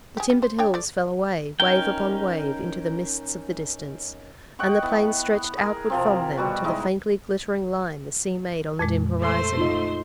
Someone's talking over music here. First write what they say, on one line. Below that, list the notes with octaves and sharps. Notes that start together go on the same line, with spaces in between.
The timbered hills fell away, wave upon wave, into the mists of the distance, and the plains stretched outward from them to the faintly glittering line the sea made on the dim horizon.
G4 G#4
G3
C5
D4 C#5 G5
A3 D5
C#4 D#4 A#4 G5
D#5 F#5 G5 C#6
B3 E4
G#4 A#4
C3 F3 C4
B2 G3 F#4
G#3 D#4 E4
F2 A#2 G#3
A3 C5 C6
D#4 F4 D#5